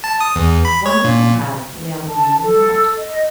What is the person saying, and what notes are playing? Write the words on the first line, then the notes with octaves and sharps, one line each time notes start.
One you will have, and the other you will not.
A5
D#6
E2
B5
C#5
A#2
A5
A4
D#5